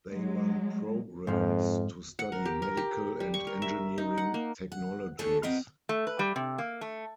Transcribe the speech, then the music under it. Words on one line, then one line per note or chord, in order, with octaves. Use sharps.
They run programmes to study medical and engineering technologies.
F#3 G#3
F2 G#2 F3
F#5
A#4
G4
A#4
G4
G3
C#6
A#4
E5
D#4
F#5
A#3
F#5
D3 A3 G#4 A4 C#5
F2 C4 A#4 B4 D#5 F#5
A3
B4
G3
C3
A#3
A3